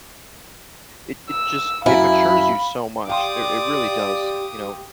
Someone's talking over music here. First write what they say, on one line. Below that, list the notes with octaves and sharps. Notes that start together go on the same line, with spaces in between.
it it just it matures you so much, it r it really does, you know,
E6
F#2 E4 F5 B5
G4 D5 F5 G5 C6 D6 D#6